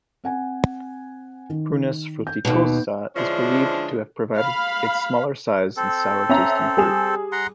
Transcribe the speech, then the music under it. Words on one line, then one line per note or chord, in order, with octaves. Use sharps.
"Prunus fruticosa" is believed to have provided its smaller size and sour tasting fruit.
C4 F#5 G#5
D#3
G6
D#2 B2
D3 F3 G#3 C#4 D4 E4
F5 B5
C4 A4
C#4 E5 A#5
G3 G#4 E7
F#5 A#5 C6